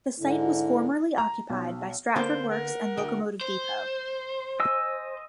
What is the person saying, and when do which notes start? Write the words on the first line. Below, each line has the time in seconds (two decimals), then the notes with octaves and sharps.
The site was formerly occupied by Stratford Works and Locomotive Depot.
0.20 G#2 D3 E4
1.18 A#5
1.50 B1
2.16 D3 A#3 B3 C5
2.49 A#4 F#5
2.97 D2 G5
3.41 C5
4.60 D#5 G#5 E6